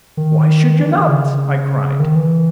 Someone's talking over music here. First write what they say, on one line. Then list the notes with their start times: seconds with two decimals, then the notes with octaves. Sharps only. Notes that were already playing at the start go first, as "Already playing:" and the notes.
"Why should you not?" I cried.
0.17 D#3
0.78 E3
0.89 D#3
0.99 D#3
1.09 C#3
2.00 D#3
2.16 E3